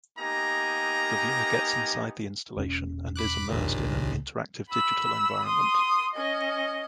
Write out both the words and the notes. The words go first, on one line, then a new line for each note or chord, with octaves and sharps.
The viewer gets inside the installation and is immersed in an interactive digital environment.
A#3 B3 D#4 G4 G#5 A#5
E1 C#4
B5 D6 F#6
E1 A#1 D#2 A#2
C#2
B5 E6
C6 D#6
C#4 D#5